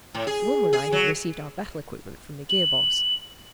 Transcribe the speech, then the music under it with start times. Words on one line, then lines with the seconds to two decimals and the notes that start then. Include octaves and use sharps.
Wilma and I had received our battle equipment from the Gear boss.
0.15 A2
0.27 G#4
0.73 G#4
0.92 F#3
2.49 F#7